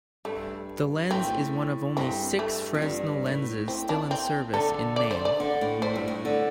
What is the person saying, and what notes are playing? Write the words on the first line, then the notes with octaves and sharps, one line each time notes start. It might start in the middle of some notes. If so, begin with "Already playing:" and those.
The lens is one of only six Fresnel lenses still in service in Maine.
G2 A3
A2 C4
G2 C4
A3
F2
G2
A2
C4
D4
C4
D3 A4
D5
C5
D5
D3
A2
A2 C5
G2
A2
D3